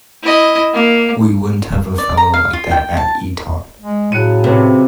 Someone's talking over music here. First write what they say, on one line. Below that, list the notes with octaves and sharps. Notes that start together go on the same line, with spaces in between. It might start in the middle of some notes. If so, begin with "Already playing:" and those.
We wouldn't have a fellow like that at Eton.
E4 D#5
A#3
D5
A#5
F5
F4
G5
A5
G#3
A2 C#3 F#3 F#6 C#7 D#7
C3 G4 B4 C#5